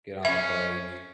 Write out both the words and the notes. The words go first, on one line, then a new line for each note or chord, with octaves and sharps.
get on the bike.
C#4 E5